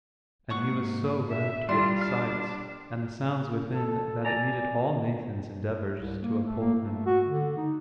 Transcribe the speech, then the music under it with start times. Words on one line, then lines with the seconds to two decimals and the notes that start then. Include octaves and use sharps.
And he was so rapt with the sights and the sounds within, that it needed all Nathan's endeavors to uphold him.
0.50 G#2 A#3 F#5 C#6 F#6
1.28 E5
1.69 G3 D4 F4 C6
2.01 D4 F6
3.74 A4
4.25 D5 G#5 A#5
5.99 C2
6.22 A#3
6.44 A3
6.60 A#3
6.80 A3
7.06 F#4
7.26 D3
7.57 D#4